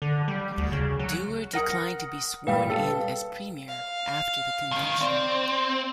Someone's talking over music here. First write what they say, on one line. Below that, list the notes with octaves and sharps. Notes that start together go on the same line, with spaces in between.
Doer declined to be sworn in as Premier after the convention.
D3
G3
D2
C#3
F#3
A#4 F#5 D#6 A#6 C#7
A#2 G3 B4 F5 G5
A4
F5
C#2 D#3
C4 D5